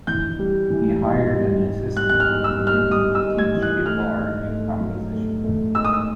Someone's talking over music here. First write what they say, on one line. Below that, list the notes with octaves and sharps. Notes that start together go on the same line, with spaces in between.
He hired an assistant and continued to teach guitar and composition.
E3 G6
G3
E3
G#2
G3
G3
G3 F#6
F#6
F6
G#2
E6
G3
F6
G3 D#6
E6
G#2
G#6
E3
F#6
A3 F6
G#2
A3
F#3
A3
A3
G#2 E6
D#6
E6